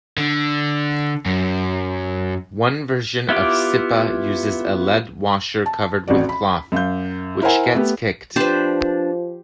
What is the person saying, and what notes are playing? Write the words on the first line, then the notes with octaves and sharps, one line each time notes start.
One version of Sipa uses a lead washer covered with cloth, which gets kicked.
D3
F#2
B3 E4 F4 G4 D6
A5
A1 F2 F#4 D5
B5
F#2 F5 G6
E4 A#4 C5 F#5 G#5
A3 B3 G4
F3 D4 G4 B4 C5